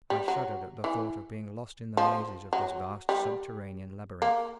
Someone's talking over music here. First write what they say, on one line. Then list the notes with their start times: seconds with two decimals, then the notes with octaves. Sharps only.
I shuddered at the thought of being lost in the mazes of this vast subterranean labyrinth.
0.10 G3
0.28 F#3
0.84 E3
1.97 F3
2.53 F#3
3.09 G3
4.22 A#3